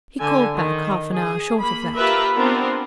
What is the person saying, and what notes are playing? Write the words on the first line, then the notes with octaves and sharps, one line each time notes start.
He called back half an hour short of that.
D3 G#5
D#3
G#4
A#3 B5
F4 G4 A#4 B4 E5
B3 C4 D4 F4 A#4